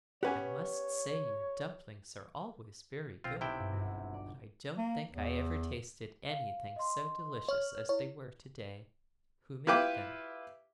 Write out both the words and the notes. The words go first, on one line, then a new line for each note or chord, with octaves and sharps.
'I must say your dumplings are always very good; but I don't think I ever tasted anything so delicious as they were to-day. Who made them?'
B3 C#4 G4 B4 C#5 F#5 G#5
B1 C4 F4
C3 D#4 E4 G5
G2
G1 F#4
D5
A#3
E2
F5
D#5 C6
C#5 F6 F#7
E4 C#5
E4 F4 G4 B4 G5 D6